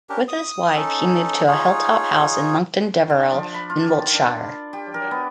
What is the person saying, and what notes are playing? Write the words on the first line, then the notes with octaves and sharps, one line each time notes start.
With his wife he moved to a hilltop house in Monkton Deverill in Wiltshire.
C#4 D4 G4 A#4
D#6
C#4 D#4 A4
D#4 F4 G#4 C#5
D4
F3
B5
F4
D#3
D4
G4
A#4
B3